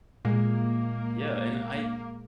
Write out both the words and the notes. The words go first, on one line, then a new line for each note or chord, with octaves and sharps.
Yeah, and I
A#2 G#3 A#3